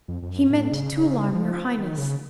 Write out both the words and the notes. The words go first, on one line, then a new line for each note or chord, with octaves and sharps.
"He meant to alarm your highness."
F2
F2
F#2
A2
C#3
C#3
F3
D#3
C#3